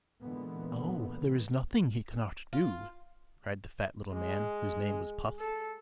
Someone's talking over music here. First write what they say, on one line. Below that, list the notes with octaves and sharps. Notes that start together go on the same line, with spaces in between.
"Oh! there is nothing he cannot do," cried the fat little man whose name was Puff.
A#2 D3 E3 G#3 B3
F4
G#3
A4